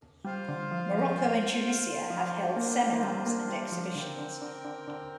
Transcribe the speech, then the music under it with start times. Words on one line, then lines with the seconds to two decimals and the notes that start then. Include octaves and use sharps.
Morocco and Tunisia have held seminars and exhibitions.
0.25 G3 F4 C5 F5
0.49 D3
0.71 F3
0.95 F3
2.10 F3 D4 F4 C5
2.56 A#3
2.93 A#3
3.03 G3
3.26 A#3
3.50 G3
3.72 F3
3.95 D3 C4 A#4 G5
4.19 D3
4.42 D3
4.65 D3
4.88 D3